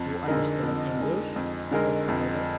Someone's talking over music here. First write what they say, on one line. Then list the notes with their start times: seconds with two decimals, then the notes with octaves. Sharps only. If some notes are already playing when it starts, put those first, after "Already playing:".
"You understand English?" said Calder.
Already playing: F2
0.28 D3 G#3 D#4 A#4
0.63 F2
1.00 D3 G#3 D#4 A#4
1.36 F2
1.71 D3 G#3 D#4 A#4
2.09 F2